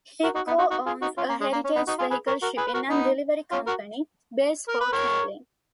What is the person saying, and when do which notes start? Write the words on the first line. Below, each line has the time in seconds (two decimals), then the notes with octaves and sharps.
He co-owns a heritage vehicle shipping and delivery company, Bespoke Handling.
0.24 F#4 A#4
0.35 D#4 F#4
0.47 B3 D#4
0.58 D#4 F#4
0.70 D#4 F#4
0.86 F4 G#4
1.02 D#4 F#4
1.17 C#4 F4
1.29 A#3
1.41 G#3
1.53 A#3
1.65 C#4
1.76 B3 D#4
1.87 D#4 F#4
1.99 F4 G#4
2.11 G#4 B4
2.27 A#4 C#5
2.42 F#4 A#4
2.57 G#4 B4
2.67 B4
2.74 F#4 A#4
2.89 B3 D#4
3.51 C#4 F4
3.67 F#4 A#4
4.69 A#4
4.81 B4
4.92 A#4 C#5